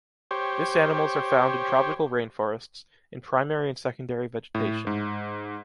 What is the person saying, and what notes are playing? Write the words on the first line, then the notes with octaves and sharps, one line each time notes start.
This animals are found in tropical rainforests, in primary and secondary vegetation.
G4 C5 C#5
A2
G#2